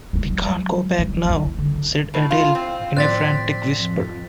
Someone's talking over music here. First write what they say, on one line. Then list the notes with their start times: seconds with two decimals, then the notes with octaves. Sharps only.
"We can't go back now," said Adele in a frantic whisper.
0.13 F#3 G#3
0.99 F#3 G3
1.25 D#4 E4
1.59 D3
2.14 A2
2.31 F4
2.55 C4
2.97 A2 F3 C4 D5 F#6 A6 B6
3.77 F2